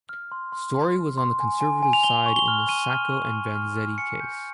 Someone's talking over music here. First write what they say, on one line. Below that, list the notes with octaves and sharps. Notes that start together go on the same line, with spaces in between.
Storey was on the conservative side in the Sacco and Vanzetti case.
F6
C6
C6
C6
C6
C6
G#5
G#5
G#5
F7
G#5 G7
C#6
G7
F6
C#6 D#7
F6
C#6
F6
F6
F6
G#5 C#7
G6